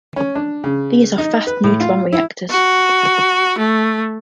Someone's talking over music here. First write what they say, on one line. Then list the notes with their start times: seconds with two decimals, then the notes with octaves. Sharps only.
These are fast-neutron reactors.
0.16 C#4
0.35 D4
0.64 C#3
1.18 D#4
1.47 B4
1.64 A2
1.80 F4
2.12 E4
2.51 F#4
3.59 A3